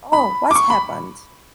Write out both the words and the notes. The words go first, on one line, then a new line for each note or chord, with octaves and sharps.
Oh, what's happened?
B5
D6
C#6
B5